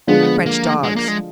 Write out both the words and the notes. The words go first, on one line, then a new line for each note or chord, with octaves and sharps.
"French dogs!"
D3 F3 G#3 B3 D4 F4
A#3
G#3
A#3
G#3